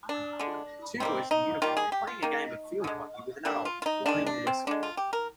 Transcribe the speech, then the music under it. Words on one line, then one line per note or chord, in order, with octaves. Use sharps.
Two boys in uniform playing a game of field hockey with an adult blowing on a whistle.
D4
D3 G#3
D#3 G3 A#3 C4
D#4
D#3 G3 A#3 F4
G#4
G4
F4
D#3 A#3 D#4
D3 G#3
D3 G3 A#3 D4
F4
F4
D#4
D#3 G#3 D4
D4
C4
D3 G#3 D4
F4
G4
A#4